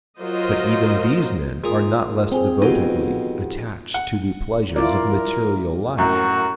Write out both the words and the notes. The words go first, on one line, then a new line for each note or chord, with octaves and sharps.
But even these men are not less devotedly attached to the pleasures of material life.
F#3 F4 A#4 C5 D#5
A#2 G#4 A#4 D#6
C4 G#4 C5 G#5
F2 B2 D#4 G4 F#5
F#5
E4 F4 A#4 D5
F#2 A2 F#4 A#4